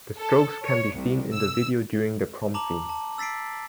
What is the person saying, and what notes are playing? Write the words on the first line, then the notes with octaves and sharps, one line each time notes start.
The Strokes can be seen in the video during the prom scene.
A4
C#5
C2
E6
A5 A#5 D6 F#7
A5
E6 A6 B6 C7 D7